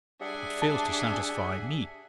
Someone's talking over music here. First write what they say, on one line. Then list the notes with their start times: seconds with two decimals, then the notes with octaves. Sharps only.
It fails to satisfy Me.
0.21 G3 D4 G#4 E5 F#5 G#5
0.62 A5